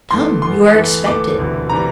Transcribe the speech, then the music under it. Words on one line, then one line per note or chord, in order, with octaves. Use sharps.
"Come, you are expected!"
E2 E3 A3 C6
E2 E3 A3 C6
E2 E3 A3
E2 E3 A3 D6
E1 D2 C3 E3 G3
C3 E3 G3 A#5